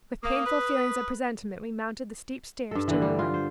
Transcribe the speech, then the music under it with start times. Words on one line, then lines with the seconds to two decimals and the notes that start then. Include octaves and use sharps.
With painful feelings of presentiment we mounted the steep stairs to her room.
0.23 A#3 D#6
0.45 B4
2.71 G2 A4
2.88 D3 E3
3.02 G3
3.19 F4
3.34 C5